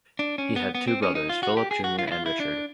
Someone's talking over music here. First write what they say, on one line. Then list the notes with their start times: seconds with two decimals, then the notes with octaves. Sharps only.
He had two brothers, Philip Junior and Richard.
0.19 D4
0.38 C#4
0.56 B3
0.75 B3
0.88 C4
1.03 C#4
1.15 D#4
1.29 F4
1.43 F#4
1.57 G4
1.71 G#4
1.84 F#4
1.99 F4
2.08 E4
2.12 F4
2.26 E4
2.40 D4